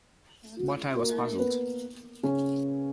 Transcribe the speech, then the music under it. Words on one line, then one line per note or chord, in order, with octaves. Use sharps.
But I was puzzled.
A#3 A#4
B3 B4
C#3 C#4